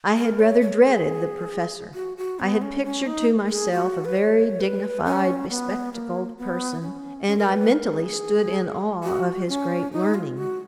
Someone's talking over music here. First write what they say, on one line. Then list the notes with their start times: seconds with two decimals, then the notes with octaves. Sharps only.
I had rather dreaded the professor. I had pictured to myself a very dignified, bespectacled person, and I mentally stood in awe of his great learning.
0.18 A#4
0.39 C#5
0.61 C#5
0.84 G#4
1.94 F#4
2.17 F#4
2.40 B3
2.62 C#4
2.84 C#4
3.06 D#4
3.50 G#4
3.72 F#4
4.05 B4
4.17 C#5
4.60 B4
5.05 C#4
5.50 B3
5.93 A#3
6.38 B3
6.82 C#4
7.27 C#4
7.38 A#4
7.49 B4
7.71 A#4
7.94 G#4
9.04 F#4
9.48 C#4
9.93 D#4
10.14 F4
10.37 F#4